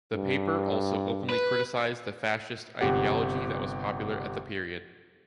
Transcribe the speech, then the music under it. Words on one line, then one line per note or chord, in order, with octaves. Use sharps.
The paper also openly criticised the fascist ideology that was popular at the period.
G2
B4
G1 C3 G4 F#5